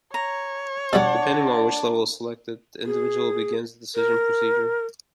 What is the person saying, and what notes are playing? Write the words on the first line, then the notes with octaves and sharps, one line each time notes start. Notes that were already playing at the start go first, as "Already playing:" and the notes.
Depending on which level is selected, the individual begins the decision procedure.
C#5 A#5
B2 G3 D4 D5 F#5 D6
G#4
A#4